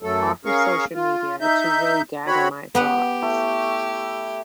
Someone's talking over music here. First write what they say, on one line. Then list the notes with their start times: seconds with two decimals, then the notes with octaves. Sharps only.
off of social media to really gather my thoughts
0.03 F#2 F#3 A3 A4
0.45 C#4 G#4 A#4 F5 C#6
0.94 F4
1.41 D#4 E5 G6
2.27 C4 F#4 C#5 B5
2.75 B3 G4 B4 F#5
3.22 A3 E4